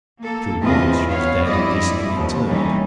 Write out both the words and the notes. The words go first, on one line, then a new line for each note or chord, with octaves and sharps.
True it was, she was dead and decently interred.
A#3 A4
E2 C4 F4 B4 D#5
B3 C#5 F5
F2 G3 E4 D5 D#5
D#2 B2 F3
E3 G3 A3 C#4 D#4